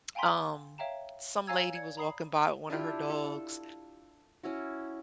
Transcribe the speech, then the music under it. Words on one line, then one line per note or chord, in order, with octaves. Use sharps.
um, some lady was walking by with one of her dogs,
F5 G5 G#5 A#5 C6 B6
C#5 E5 F5 G5 A#5 E7
C#5 F5 G#5 A#5 E6 G#6
D5 G#6 C#7
A#5 B5 D#6 C7
D4 E4 F4 G4
A4
C#4 E4 F#4